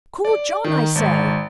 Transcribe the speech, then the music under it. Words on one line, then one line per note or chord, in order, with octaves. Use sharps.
Call John, I say!'
D5
D#3
G#1